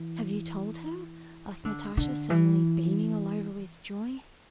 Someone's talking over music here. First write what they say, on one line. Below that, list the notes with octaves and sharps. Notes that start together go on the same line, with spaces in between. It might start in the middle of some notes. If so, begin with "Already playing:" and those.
"Have you told her?" asked Natasha, suddenly beaming all over with joy.
Already playing: E3
D3
D3
E3